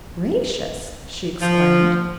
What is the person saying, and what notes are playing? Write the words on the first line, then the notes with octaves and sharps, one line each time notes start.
"Gracious!" she exclaimed.
F3